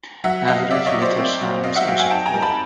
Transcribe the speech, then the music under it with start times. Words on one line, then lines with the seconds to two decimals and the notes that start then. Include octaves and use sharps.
Average litter size is four.
0.24 F#3 E5 F#5
0.47 F#3 D#5 F5
0.70 C4 D5 E5
0.86 C#5 D#5
0.94 F#3
1.02 C5 D5
1.17 C4
1.41 F#3
1.64 C4 D#5 F5
1.76 E5 F#5
1.87 F#3 F5 G5
1.99 F#5 G#5
2.10 D#4 G5 A5
2.26 G#5 A#5
2.34 G3
2.42 A5 B5